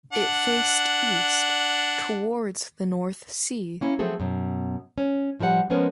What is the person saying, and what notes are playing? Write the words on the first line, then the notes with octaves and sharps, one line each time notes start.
It faced east towards the North Sea.
D4 F#5
A#3 C#4 E4
F3 F#3 A3 C4 G#4 A4
F#2 B2
C#4
A2 F3 G3 A#4 F#5
F3 G#3 B3 C#4 A#4 B4